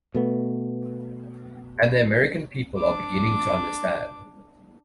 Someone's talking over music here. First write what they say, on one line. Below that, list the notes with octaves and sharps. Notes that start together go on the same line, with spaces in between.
And the American people are beginning to understand.
B2 A3 B3
D4 D6